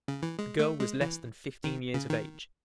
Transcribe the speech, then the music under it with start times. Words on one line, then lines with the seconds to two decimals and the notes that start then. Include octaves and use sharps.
The girl was less than fifteen years of age.
0.08 C#3
0.23 E3
0.39 G#3
0.59 A3
0.80 G#3
1.01 E3
1.64 D#3
1.94 C#3
2.10 D#3